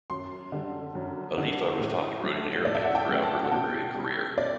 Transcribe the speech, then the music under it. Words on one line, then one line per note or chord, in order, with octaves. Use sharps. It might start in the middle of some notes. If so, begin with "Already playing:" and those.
Alifa Rifaat wrote in Arabic throughout her literary career.
F#2 C6
D3 G3
F#2
D3 G3
A2
F#3 A3
A2 D5
E5
F#5
G5
F#3 A3
A5
F#5
B2 G5
G3
B2 D5